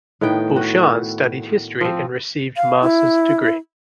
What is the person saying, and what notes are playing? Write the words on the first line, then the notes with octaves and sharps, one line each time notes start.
Bhushan studied History and received masters degree.
A2 D#3 B3 G5
F#4
F3 C4
F5
E4